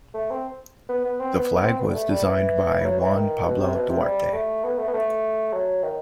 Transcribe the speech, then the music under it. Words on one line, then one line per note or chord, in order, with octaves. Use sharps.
The flag was designed by Juan Pablo Duarte.
A3
C4
B3
B3
C4
B3
B3
C4
B3
G3
A3
G3
E3
E3
F#3
E3
D#3
B2
C3
B2
C3
G3
A3
B3
A3
B3
A3
F#3
D#3